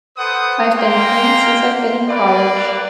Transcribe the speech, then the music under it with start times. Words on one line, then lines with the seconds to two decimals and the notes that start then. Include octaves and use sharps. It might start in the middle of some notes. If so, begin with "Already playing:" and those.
I've been clean since I've been in college.
0.18 A4 B4 C5 F#5 D#6
0.77 G#3 A#3 F5 G5 A#5 C6
2.09 A#3 B4 D5